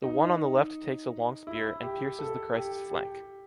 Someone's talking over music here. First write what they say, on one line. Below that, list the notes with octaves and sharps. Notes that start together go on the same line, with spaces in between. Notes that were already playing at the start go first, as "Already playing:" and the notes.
The one on the left takes a long spear, and pierces the Christ’s flank.
D#4
E4
G4
A4
G4
G4